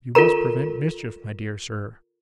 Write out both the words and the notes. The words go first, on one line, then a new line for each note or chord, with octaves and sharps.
You must prevent mischief, my dear Sir.
F4 A4 A#4 A#5